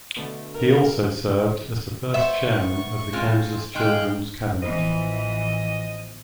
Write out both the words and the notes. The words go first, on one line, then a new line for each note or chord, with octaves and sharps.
He also served as the first chairman of the Kansas Children's Cabinet.
B2 D3 A3
A#4
B3 C5 E5 C#6
G#3 C4 F4
G#3 D#4 F5 G5 F#6
A1 E3 F3 B3 C5 D#5